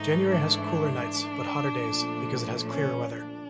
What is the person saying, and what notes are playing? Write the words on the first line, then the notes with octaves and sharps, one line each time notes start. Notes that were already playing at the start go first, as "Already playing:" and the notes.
January has cooler nights but hotter days because it has clearer weather.
Already playing: G#2 E3 A3 D#4
D4
A#2 F3 A3
C#4
D4